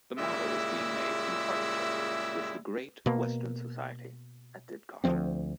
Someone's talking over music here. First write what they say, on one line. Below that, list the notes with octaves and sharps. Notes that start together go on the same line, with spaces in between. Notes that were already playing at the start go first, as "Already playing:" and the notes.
The model is being made in partnership with the Great Western Society at Didcot.
A#2 C#3 G3 G#3 E4 E5
B2 A#3
D2 F3 G#3 C4